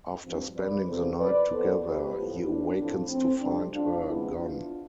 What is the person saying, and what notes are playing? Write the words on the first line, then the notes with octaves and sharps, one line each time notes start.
After spending the night together, he awakens to find her gone.
G2 F3 C4
B4 D5
E2 C3 F3 C4 A4 C5
B4 D5
F2 E3 B3 A4 C5
G4 B4
A2 F3 B3
D4
A2 F3 C4
C4
F2 C3 G3 D4
D4 F4
E2 B2 B3 C4 E4
D4 F4